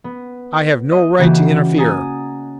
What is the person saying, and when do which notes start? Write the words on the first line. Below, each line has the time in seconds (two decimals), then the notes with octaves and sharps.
I have no right to interfere!
0.04 B3
0.57 C#7
0.92 D#5
1.18 C#3 E3 A#3 F#4 G4
1.77 G#5 A#5 D#6 A6 A#6 C#7